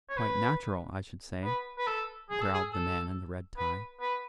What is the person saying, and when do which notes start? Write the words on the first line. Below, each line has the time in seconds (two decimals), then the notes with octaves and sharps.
"Quite natural, I should say," growled the man in the red tie.
0.09 C#5
0.17 B4
1.44 B4
1.78 B4
1.87 A4
2.30 G#4
2.42 A4
2.53 G#4
2.73 A4
3.58 B4
4.01 B4